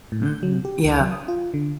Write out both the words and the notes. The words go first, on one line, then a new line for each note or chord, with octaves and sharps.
Mm, yeah.
A2
G6
F#3
G4
C#2
F#3
D#6
F4
D3